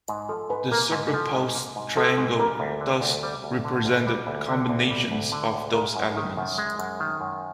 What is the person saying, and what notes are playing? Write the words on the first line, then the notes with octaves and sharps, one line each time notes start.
The superposed triangles thus represented combinations of those elements.
G#2
F3 A4
G#2 B4
A#3 A#4
G#2
F3 A4
G#2
A#3
G#2
F3 A4
G#2
G3 A#4
D2
D3
D2
G3
D2
D3
D2
G3
D2
D3
D2
G3
D2
D3
D2
G#3 A#4
F#2
D#3
F#2
G#3
F#2
D#3
F#2